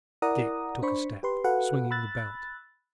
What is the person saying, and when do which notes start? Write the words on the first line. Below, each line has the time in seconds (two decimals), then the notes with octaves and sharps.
Dick took a step, swinging the belt.
0.22 E4 A#4 D5 F#5 A#5 D#6
0.82 D4 C5 B5 C#6
1.23 G4 B4 C6
1.44 F#4 A4 B4 F5 F#5
1.91 B5 E6 F#6 A6